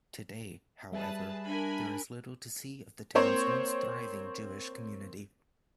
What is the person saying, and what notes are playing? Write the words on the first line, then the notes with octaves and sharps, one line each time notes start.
Today, however, there is little to see of the town's once-thriving Jewish community.
G3 G#4 B4 E5 A5
D4 A#4 G#5 B5
A#3 C4 C5 C#5